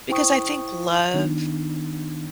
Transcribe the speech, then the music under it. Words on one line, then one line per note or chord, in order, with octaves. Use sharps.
because I think love
E4 C5 G5 C#6 D#6
D#3 B3 D4 D#4